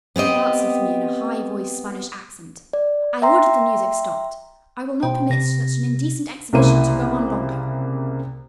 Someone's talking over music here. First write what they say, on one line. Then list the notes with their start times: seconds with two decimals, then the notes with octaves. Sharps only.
The queen answered for me in a high-voiced Spanish accent: "I ordered the music stopped; I will not permit such an indecent exhibition to go on longer."
0.16 B3 C4 G4 D#5
2.73 D5
3.22 E5 G5 A#5 C6
5.03 B2 C5 G5
5.30 C3 A#6
6.53 C2 C#3 A#3 E4 C5 D#7